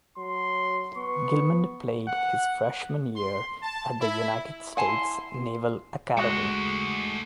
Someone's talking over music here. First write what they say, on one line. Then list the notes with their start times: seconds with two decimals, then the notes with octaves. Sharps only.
Gilman played his freshman year at the United States Naval Academy.
0.18 F#3 C6
0.97 B3 C#6
2.08 F#5
3.16 C6
3.63 A5
4.01 E4
4.77 E4 F#5 G#5 A5 C6
6.18 G#3 A3 F#4 F#5